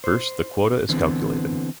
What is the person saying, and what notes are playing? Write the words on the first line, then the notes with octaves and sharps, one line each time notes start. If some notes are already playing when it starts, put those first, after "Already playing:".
First, the quota is calculated.
C5
D3 E3 B3 C4